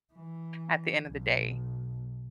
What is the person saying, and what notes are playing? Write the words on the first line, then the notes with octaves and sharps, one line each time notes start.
at the end of the day.
E3
B1